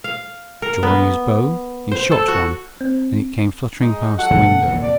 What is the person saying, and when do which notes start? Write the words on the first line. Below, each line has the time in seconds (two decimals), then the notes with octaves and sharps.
Drawing his bow, he shot one, and it came fluttering past the window.
0.04 F5
0.62 A#4
0.83 B3
1.92 C5
2.11 A4
2.28 F#4
2.81 C4
3.80 G#3 D#4
4.19 F#3 A4 F#5
4.30 B2 D3 A3
4.67 D#2 A#2
4.83 C3 D5